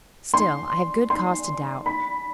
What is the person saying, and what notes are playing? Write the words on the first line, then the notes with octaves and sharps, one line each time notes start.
Still, I have good cause to doubt.
C6
C6
B5